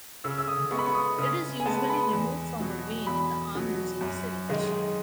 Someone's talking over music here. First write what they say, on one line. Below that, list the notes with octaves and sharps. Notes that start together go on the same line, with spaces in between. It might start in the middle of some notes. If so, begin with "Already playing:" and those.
It is usually removed from a vein in the arm using a syringe.
C#3 E6
E6
D#6
G#3 B3 C#6
B5
C#6
D#6
C#3 D#6
G#5
G#3 B3 A5
B5
E2
B2 F#3
E2 B5
B2 F#3
F#2
D#3 G#3 D#4